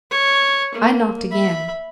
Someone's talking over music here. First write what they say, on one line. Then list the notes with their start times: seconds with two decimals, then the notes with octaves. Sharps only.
I knocked again.
0.11 C#5
0.74 A#3
1.31 E5 B5